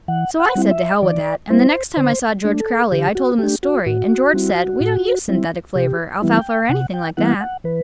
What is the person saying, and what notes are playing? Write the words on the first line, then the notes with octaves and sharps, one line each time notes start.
So I said to hell with that and the next time I saw George Crowley I told him the story and George said, "We don't use synthetic flavor, alfalfa or anything like that."
E3 F#5
F#5
G3 C4 E4
E5
E3 D5
G3 C4 E4 C5
D3 C5
A3 D4
A4
D3 G4
F#4
A3 D4 G4
F#4
A2 F#4
G3 C4 E4
A2
G3 C4 E4
C3 G4
E3 G3 B3 E4
G5
C3 F#5
G5
E3 G3 B3 E4 F#5
F#5
E3 B4